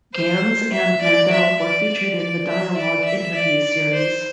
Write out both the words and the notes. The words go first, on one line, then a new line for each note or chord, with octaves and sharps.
Ganz and Mandel were featured in The Dialogue interview series.
C5
E5
D5
E5
D5
D5
D5
E5
D5
E5
D5
D5
C5